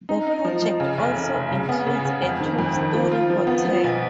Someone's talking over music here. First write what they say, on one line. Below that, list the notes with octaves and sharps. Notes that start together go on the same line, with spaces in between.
The project also includes a twelve-story hotel.
D#4
D#4
F3
F3
C#3
F1
F1
F1
C#3
B3
C#3
C#3
F2
D#3
F2
D#3
F3
F4
F3
B3
F3
B1